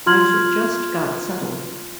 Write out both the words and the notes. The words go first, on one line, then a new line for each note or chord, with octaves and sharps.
I've just got settled.
F4 C6 F6 G#6 F#7